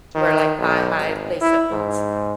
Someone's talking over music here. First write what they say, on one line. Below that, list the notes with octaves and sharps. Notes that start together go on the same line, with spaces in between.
Did you wear, like, thigh high lace up boots?
D#3
B1
G#1
E4
G#2